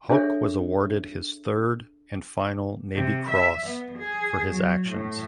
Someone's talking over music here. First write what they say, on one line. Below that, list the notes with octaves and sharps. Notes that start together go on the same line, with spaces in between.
Houck was awarded his third and final Navy Cross for his actions.
D4 G#4 A4 C#5 E5
C3
E5
B3
G#4
F#3
A2